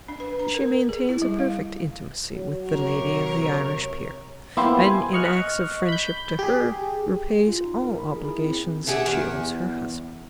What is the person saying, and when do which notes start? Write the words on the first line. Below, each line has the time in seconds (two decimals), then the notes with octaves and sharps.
She maintains a perfect intimacy with the lady of the Irish peer; and in acts of friendship to her repays all obligations she owes her husband.
0.08 D4
0.20 B4
0.39 A#5
0.55 A#4
0.89 G#4
1.09 E4
1.22 G3
1.39 F5
2.35 F#3
2.69 C3 A#4 C#5
4.57 A#3 B3 E4 F4 G4 C5
4.79 G#5
5.13 D#5 C#6 F6 F#6
5.89 B5 G6
6.39 G4 G#4
7.48 F4
7.64 D#4
7.82 A#4
7.99 B5
8.16 G#4
8.30 E4
8.44 C4
8.87 G4 G#4 E5 F#5
9.06 E2